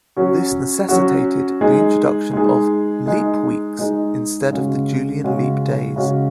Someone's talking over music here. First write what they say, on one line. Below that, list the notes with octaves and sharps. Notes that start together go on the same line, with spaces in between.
This necessitated the introduction of "leap weeks" instead of the Julian leap days.
F#3 C#4 F#4
F#3 C#4 F#4
G#3 D#4 G#4
G#3 D#4 G#4
G#3 D#4 G#4
G#3 D#4 G#4
C#3 G#3 C#4 F#4
C#3 G#3 C#4 F#4
C#3 G#3 C#4 F#4